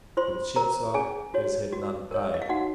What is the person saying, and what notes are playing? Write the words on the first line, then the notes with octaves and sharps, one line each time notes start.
Vincenzo has had none paid.
F4 C5 C6
A#4 C5 A#5
C#4 G#4 G#5
F#4 C#5
F#4
A#4 C#5
D#5
F5
D#4 F#4 F#5